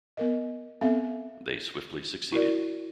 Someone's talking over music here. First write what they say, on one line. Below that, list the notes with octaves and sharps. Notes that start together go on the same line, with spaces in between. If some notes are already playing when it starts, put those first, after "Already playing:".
They swiftly succeeded.
B3 A#4 D#5
B3 C4 A4 E5 F5
E4 F#4 A#4 D5